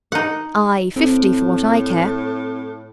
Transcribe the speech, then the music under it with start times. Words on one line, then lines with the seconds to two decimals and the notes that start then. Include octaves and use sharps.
Aye, fifty, for what I care.
0.12 D#4 F#5
0.96 A2 C4